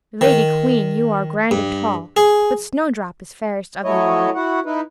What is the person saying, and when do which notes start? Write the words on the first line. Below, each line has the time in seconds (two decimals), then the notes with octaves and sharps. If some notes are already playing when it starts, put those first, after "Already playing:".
"Lady queen, you are grand and tall, But Snowdrop is fairest of you all."
0.21 D#3
1.51 G2
2.17 G#4
3.84 F#3 A3 E4 C#5 D#5
4.35 E4 F#4 F#5
4.65 D#4 E4 B4